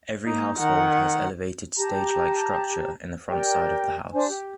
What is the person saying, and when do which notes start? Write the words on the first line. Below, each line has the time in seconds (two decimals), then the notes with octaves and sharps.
Every household has elevated stage like structure in the front side of the house.
0.25 A#3 D#4
0.57 D#3 F#5
1.77 G4 A5 A#5
3.29 G4 A#4 D5 G5
4.13 D4 C5 G#5
4.29 G4